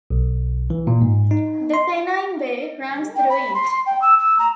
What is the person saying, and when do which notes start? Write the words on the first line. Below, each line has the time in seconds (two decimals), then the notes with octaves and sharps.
The Pennine Way runs through it.
0.10 B1
0.70 E3
0.87 A#2
1.02 G#2
1.31 D#4
1.74 C6
3.16 G5
3.30 B5
3.55 C6
3.71 C6
3.86 G5
4.02 E6
4.19 E6
4.39 A#5